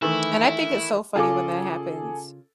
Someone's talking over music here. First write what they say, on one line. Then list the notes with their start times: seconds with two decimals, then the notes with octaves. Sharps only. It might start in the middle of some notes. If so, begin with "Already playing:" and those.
And I think it's so funny when that happens.
0.02 D#3 E3 A3 E4
1.16 C#3 F4 G#4 A4 D6